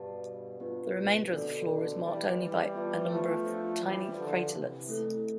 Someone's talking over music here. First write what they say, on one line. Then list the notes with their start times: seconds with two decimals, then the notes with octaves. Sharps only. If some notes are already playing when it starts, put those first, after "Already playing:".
The remainder of the floor is marked only by a number of tiny craterlets.
Already playing: G2 B2 G4 B4 D5 F5 A5
0.60 G2 B2 B3 D4 F4 B4
0.96 A2 C3
1.31 B2 D3 D4 A4 D5
2.03 E3 G3 E4 G4 B4 D5 A5
2.38 E3 G3
2.74 B3 F4 B4 E5 A5
3.10 F3 A3
3.46 D4 F4 C5
3.82 E3 G3
4.17 D3 F3 D4 G4 B4
4.53 C3 E3
4.89 A3 E4 A4